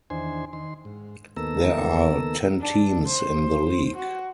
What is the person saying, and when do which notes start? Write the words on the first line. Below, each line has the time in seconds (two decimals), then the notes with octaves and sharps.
There are ten teams in the league.
0.10 E2 D#3 D4 C5 G#5 C6
0.53 D#3 C6
0.85 G#2
1.37 D#2 A#3 B3 A4 A#5 E6
2.60 D4
3.06 C5
3.96 F#4